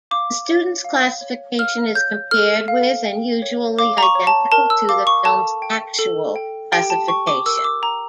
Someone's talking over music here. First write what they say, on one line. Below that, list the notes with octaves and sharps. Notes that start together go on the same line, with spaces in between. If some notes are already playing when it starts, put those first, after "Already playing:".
The students' classification is compared with, and usually identical to, the film's actual classification.
F5 D6
C#5
F5
C#5
F5 F6
C#5 G6
A4 F6
F5
G5
C#5
F5 D6
A#5
C#6
C#5
A5
A#4 A5
E6
F5 D6
C#6
A4 A5
G5
A4
G5
G4 G5
A5
G5 C#6
D6
A#4 E6
E6
D6
G5 A#5